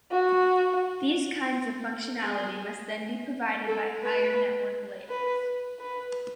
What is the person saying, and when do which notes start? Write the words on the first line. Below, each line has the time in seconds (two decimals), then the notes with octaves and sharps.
These kinds of functionality must then be provided by higher network layers.
0.11 F#4
2.24 G#4
3.67 A4
4.02 B4
5.09 B4
5.80 B4